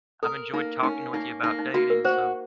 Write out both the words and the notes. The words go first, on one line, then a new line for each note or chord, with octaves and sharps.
I've enjoyed talking with you about dating, so
A4 A#4
A#3 D#4
C#4 D#4
A#3 D#4
A#3 D#4
D#4
A#3 F#4
A#4
F#4 C5